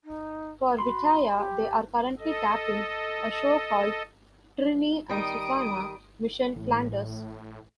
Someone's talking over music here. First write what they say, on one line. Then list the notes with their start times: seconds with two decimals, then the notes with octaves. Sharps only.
For Vitaya they are currently taping a show called "Trinny and Susannah: Mission Flanders".
0.04 D#4
0.79 F#4 B5 C6
1.35 G4
2.19 A4 D#5
5.09 D#3 G3 D#6 D7
6.56 A1 A2